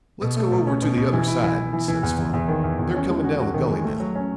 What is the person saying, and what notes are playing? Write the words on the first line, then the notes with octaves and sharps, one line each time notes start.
'Let's go over to the other side,' says father; 'they're coming down the gully now.
B2
A3
B2
C#4
B2
B2
E3
E4
E3
E3
E3
E3
E2
E2
E2
D#3
E2
E2
C#4
G#3
F#4
F#4
D#3
G#3
A3
F#3
C#4